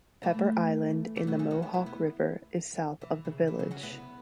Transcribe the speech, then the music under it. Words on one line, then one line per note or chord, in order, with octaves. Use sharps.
Pepper Island in the Mohawk River is south of the village.
E3 A3
E3 A3
F#3 B3
A3 C#4
C#4 F#4
B3 E4
B3 E4
B3 E4
E3
C#3
E3
C#3 F#3
C#4 F#4
B3 E4